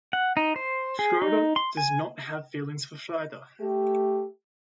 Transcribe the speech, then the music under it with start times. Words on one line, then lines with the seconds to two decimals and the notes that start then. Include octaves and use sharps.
Schroeder does not have feelings for Frieda.
0.13 F#5
0.37 D#4
0.56 C5
0.99 G#4
1.22 D#4
1.56 C6
1.77 G#5
3.60 A3 G4